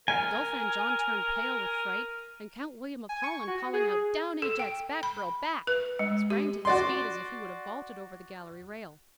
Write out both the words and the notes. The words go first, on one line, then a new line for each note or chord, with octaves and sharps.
The Dauphin John turned pale with fright, and Count William of Holland, calling out, "Down, Ajax! back, girl, back!" sprang to his feet as if he would have vaulted over the gallery rail.
A#4 G#5
G#5
C#6
F#4
G#4
A4
G5
B5
B4
G#3
G4
F#4 D5 C6